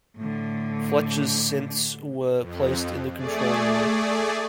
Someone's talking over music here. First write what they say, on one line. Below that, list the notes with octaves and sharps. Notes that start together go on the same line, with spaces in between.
Fletcher's synths were placed in the control room.
A2 D3
F2
A3 G#4 D5